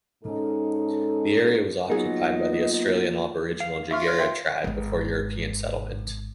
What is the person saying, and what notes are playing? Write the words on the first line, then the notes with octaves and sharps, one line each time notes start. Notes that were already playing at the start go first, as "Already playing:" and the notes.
The area was occupied by the Australian Aboriginal Jagera tribe before European settlement.
G#2 C#4 D#4 A4
A#2 F#3 A#3 B3 D#4 G#4 D#5
F5
F4 E5 C#6 F6
C#5 F6 F#6
E5 G5 C6
G#1 G#3